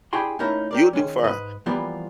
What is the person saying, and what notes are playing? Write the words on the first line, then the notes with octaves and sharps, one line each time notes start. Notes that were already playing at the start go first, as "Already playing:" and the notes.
you'll do fine.
D4 E4 G4 G#4 G5 C6
A3 A#3 C#4 D#4 E4 A#4
G4 A#4 D5
D#3 G#3 C#4
G#2 B4 D#5
E3 F3 G3 A#3 B3 F4